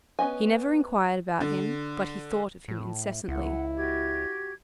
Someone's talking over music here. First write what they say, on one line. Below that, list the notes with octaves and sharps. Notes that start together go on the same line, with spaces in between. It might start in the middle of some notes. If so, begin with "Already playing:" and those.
He never inquired about him, but he thought of him incessantly.
B3 C#4 D#5 G#5
D3
A2
C#2 E4 F#5
F#4 G4 G#6